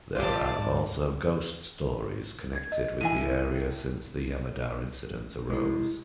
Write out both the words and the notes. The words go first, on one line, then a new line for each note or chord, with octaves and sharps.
There are also ghost stories connected with the area since the Yamada incident arose.
F4 G4 D5 A5
G#2
G#6
D#5
A2 E3 G#5 D#7
C3 G#3 E4